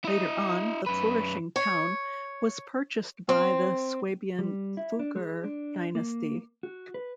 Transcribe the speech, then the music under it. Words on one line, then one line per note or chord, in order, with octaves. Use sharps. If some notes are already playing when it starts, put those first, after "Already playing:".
Later on, the flourishing town was purchased by the Swabian Fugger dynasty.
E4 D#5
F#2 B4
C#5
C4
G3
E4
D4
G#3
D4
A#3
F#4
B4